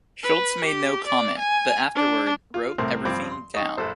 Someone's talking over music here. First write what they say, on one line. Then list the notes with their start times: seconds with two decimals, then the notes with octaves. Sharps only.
Schultz made no comment, but afterward, wrote everything down.
0.23 B4
0.65 G4
1.07 D5
1.39 G#5
1.95 D4
2.54 F4
2.78 C2 A2 C4 A#4 C6
3.05 G2 F3 C4 B5 D6
3.31 C6
3.54 D#4 D#5 C#6
3.77 A#1 F#2 A4 C5